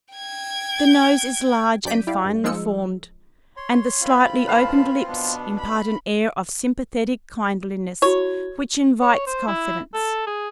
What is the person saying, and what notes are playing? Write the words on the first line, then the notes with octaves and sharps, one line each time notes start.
The nose is large and finely formed, and the slightly-opened lips impart an air of sympathetic kindliness which invites confidence.
G5 G#6
F#2 D5 G6 B6 D7 D#7
E4 G4 D5 F5
G2
F3 G#3 D#4 F4 E6 C#7
C#5 C6
C4 F4 B5
A2 D3 B4 F5 A5
B2 B3 D4
B5
E4 F#4 C#5
C#5
C5
E4
A4
G#4